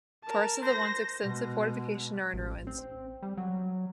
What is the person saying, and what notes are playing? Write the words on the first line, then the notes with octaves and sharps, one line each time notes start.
Parts of the once extensive fortification are in ruins.
A#4 A5
C5 A#6
B2 G#3
A1
C4
G3
F#3